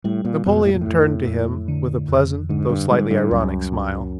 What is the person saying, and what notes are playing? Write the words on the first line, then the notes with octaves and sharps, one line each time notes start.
Napoleon turned to him with a pleasant, though slightly ironic, smile.
A2 G3
A#2
F2 B2
A2
A#2
F2 A2
F2
D3
F2
G#2 D3
G2
G#2 G3
G2
C#2 F#2
C#2